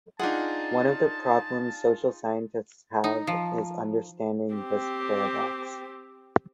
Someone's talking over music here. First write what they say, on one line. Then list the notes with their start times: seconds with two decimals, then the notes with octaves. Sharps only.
One of the problems social scientists have is understanding this paradox.
0.19 D4 D#4 F4 G#4 F#5 A5
3.04 D#4
3.27 F3
4.55 C4 G4